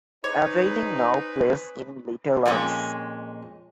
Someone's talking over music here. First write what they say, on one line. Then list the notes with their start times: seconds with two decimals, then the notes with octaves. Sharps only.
Aveling now plays in Littl'ans.
0.24 C4 D#4 G#4 B4 C#5
2.46 F2 A#2 G#3 C#4